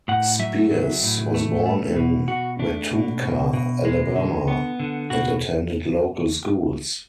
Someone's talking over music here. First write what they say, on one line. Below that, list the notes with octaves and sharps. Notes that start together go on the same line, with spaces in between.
Spiers was born in Wetumpka, Alabama, and attended local schools.
A2 F#5
F#3 E5
F#3
A2
A3
A3
B2
B2 F#4
A3 D4
B2
B2
B2
G#3
D3
B3
D3
B2 F#4